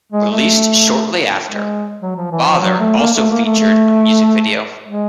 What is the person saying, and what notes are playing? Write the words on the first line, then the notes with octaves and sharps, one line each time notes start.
Released shortly after, "Bother" also featured a music video.
G#3
A3
G#3
F#3
F3
E3
F3
F#3
A3
A#3
A3
A#3
A3
A3
G#3